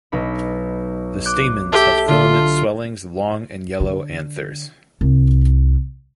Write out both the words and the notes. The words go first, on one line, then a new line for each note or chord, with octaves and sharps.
The stamens have filament swellings long and yellow anthers.
B1 D#4 B5
D6 F#6 G6
G4 A4 E5 A5
D3 F4
D3
C2